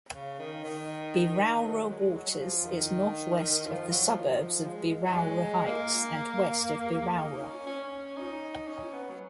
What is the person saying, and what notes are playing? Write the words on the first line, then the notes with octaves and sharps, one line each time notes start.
Berowra Waters is north-west of the suburbs of Berowra Heights and west of Berowra.
C#3
D#3
D#3
F#3
F#3
G#3
F#3
F#3
F3
D#3
F3
F#3
F3
D#3
F3
G#3
F#3
G#3
A#3
D#4
C#4
C#4
D#4
C#4
B3
F#3